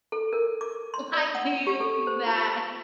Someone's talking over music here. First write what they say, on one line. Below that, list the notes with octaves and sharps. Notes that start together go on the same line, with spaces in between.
Like, do you think that
A4
A#4
D6
C6
D5
F#5
G4
A4
C5
F4